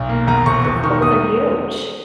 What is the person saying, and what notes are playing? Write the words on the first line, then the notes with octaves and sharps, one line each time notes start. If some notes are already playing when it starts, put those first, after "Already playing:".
Those goals are huge.
Already playing: B1
A#3
E2 A#5
E1 C#6
E1 C#6
D#3 C#6
E2 D#6